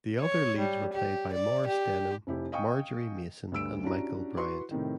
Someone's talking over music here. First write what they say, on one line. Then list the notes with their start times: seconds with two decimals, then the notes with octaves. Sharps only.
The other leads were played by Maurice Denham, Margery Mason and Michael Bryant.
0.21 C#5
0.59 G3
0.93 G4
1.34 D5
1.68 G4
2.27 F1 E4 G4
2.52 D#5 F5 G5 G#5 C#6 D#6
3.52 D2 G2 E6 D7
3.83 C#4 D4 E4 F#4 G4 A#5
4.36 E4 F#4 B4 C6 C#6
4.71 A2 C3 D#3